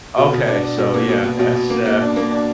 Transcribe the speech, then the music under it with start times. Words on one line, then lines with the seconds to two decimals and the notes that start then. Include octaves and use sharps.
Okay, so, yeah, that's, uh
0.17 B2
0.33 B2
0.47 D4
0.63 D4
0.78 B2
0.94 A#3
1.08 B2
1.24 B2
1.39 B2
1.55 B2
1.70 A#3
1.85 A#3
2.01 D4
2.16 A#3
2.31 D4